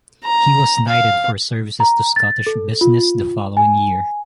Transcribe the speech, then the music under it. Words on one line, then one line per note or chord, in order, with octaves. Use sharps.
He was knighted for services to Scottish business the following year.
A#5
F5
A#5
A6
A4
F4
G#5